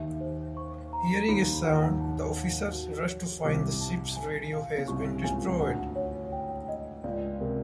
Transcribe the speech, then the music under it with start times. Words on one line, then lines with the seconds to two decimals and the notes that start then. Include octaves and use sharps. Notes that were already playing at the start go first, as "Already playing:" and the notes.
Hearing a sound, the officers rush to find the ship's radio has been destroyed.
Already playing: D#2 D#3 E5
0.21 C5
0.57 C#6
0.93 A#5
1.28 D#2 D#3 B5
1.64 D#2 D#3 F#5
2.01 A5
2.37 F#5
2.72 F#4
3.08 C#5
3.44 C2 C3 D6
3.81 A5
4.16 G#5
4.53 F5
4.78 C#3
4.88 C2 C3 C#6
5.24 C#2 C#3 G#5
5.60 D2 D3 F#5
5.96 C#5
6.32 G5
6.69 D#5
7.04 C#2 C#3 D5
7.40 C3 A#4